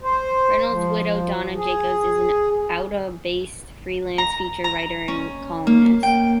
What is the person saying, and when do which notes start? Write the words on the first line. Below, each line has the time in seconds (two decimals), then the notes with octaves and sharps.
Reynolds' widow, Donna Jacobs, is an Ottawa-based freelance feature writer and columnist.
0.03 C5
0.71 F3
1.56 G#4
4.18 A#5
4.64 A#5
5.08 C#4
5.67 A#3
6.03 G5